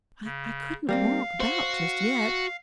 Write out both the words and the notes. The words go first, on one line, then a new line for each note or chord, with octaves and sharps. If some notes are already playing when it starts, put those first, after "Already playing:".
I--I couldn't walk about just yet.
C#3
G3 A#3 C4 F5
F#4 C5